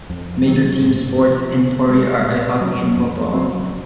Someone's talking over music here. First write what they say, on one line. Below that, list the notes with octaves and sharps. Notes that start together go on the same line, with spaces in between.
Major team sports in Pori are ice hockey and football.
F2
D#3 F#3 C4
G#2
F3 C4
C#3
G#3 C4
A#2
F#3 A#3 C#4
F2
C#3 F#3 C4